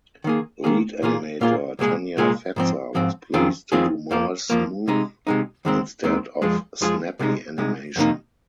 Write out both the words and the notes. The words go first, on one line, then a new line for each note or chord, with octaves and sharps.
Lead animator Tanya Fetzer was pleased to do more smooth instead of snappy animation.
D#3 A#3 G#4
D#3 A#3 G#4
A#2 A#3 F4 G#4
A#2 A#3 F4 G#4
C2 A#2 G#3 F4 G#4
C2 A#2 G#3 F4 G#4
G#2 F3 C4
G#2 F3 C4
F2 D#3 C4 F4 G#4
F2 D#3 C4 F4 G#4
F2 F3 A#3
F2 F3 A#3
C3 G#3 D#4
C3 G#3 D#4
D#2 D#3 G#3 C4
D#2 D#3 G#3 C4
F2 F3 G#3 F4 G#4
F2 F3 G#3 F4 G#4
C2 C3 G#3 D#4
C2 C3 G#3 D#4
F2 C3 D#3 A#3 D#4